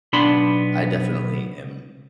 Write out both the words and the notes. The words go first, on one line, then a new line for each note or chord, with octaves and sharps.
I definitely am,
B1 B3 D4 A5 B5 C6